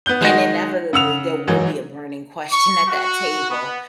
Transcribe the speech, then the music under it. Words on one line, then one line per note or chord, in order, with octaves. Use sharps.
and inevitably, there will be a burning question at that table.
B3 F#6 G6 G7
D#3 G#3 D#4 F#4 F#5 A#6
C#3 F#5 E6 F7
G#2 E3 F#3
C#6
F#4
B3